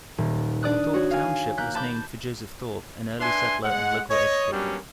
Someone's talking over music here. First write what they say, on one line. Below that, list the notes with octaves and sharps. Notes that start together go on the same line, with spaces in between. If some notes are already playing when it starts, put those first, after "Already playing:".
Thorpe Township was named for Joseph Thorpe, an early settler and local educator.
D#1
D4 D5 D#6 F#6
F#4 C#5
F5 G#5
A#3 F#6 G6 B6
A5 B5 D6 G6
D4 B4 E5 G#5 C6
G#3 F#5
C#5 D#5
F#3 G3 A#3 B3 C#4 D4